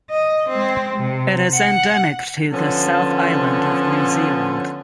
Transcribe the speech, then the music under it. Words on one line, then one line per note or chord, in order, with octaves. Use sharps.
It is endemic to the South Island of New Zealand.
D#5
G#3 C4
C3
F#5
D3 F3 B3 C#4 A4